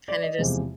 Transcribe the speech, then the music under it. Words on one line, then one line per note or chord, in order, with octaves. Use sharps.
kinda just
D5
D#5
E2 C3 F3 G#3